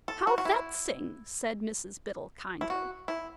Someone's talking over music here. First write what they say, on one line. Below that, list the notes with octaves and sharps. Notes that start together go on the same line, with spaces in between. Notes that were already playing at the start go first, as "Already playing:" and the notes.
How vexing!' said Mrs Biddle, kindly.
A4
F#4
F#4
E4
E4
F#4
E4